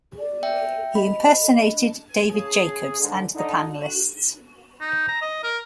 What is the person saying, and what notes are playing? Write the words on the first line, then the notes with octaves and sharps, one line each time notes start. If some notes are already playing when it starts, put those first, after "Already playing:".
He impersonated David Jacobs and the panellists.
D5
E5 G5
D#5 B5
C#3 G#4
G#2 D3
D3 D4 D#4
D#4
A#5
D#5
A#4